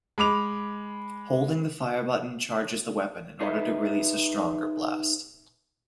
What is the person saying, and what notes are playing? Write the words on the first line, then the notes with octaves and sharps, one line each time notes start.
Holding the fire button charges the weapon in order to release a stronger blast.
G#3 B5 D6 F7
D#4 G#4 B4 C#5 D#5 E5